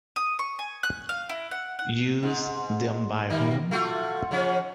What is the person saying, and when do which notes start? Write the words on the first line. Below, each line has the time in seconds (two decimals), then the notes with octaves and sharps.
Used, then, by whom?
0.16 D#6
0.39 C#6
0.59 G#5
0.83 F#6
1.09 F5
1.29 E4
1.51 F#5
1.79 F#5
2.23 G#2
3.30 D#3 G3 A#3
3.71 A3 F4 F#4
4.31 C#3 F3 C#4